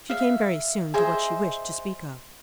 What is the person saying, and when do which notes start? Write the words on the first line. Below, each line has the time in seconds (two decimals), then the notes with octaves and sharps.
She came very soon to what she wished to speak of.
0.10 E5 F5
0.94 G#4 C5 D#5 E5